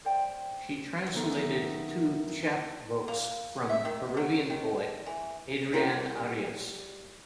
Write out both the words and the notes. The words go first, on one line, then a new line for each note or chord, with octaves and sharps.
She translated two chap books from Peruvian poet Adrian Arias.
C5 D5 G5
F#2 D#3 A3 B3
A#3
E5
D#3
F#3
D#3
E3
G3 E4 A#4 F#5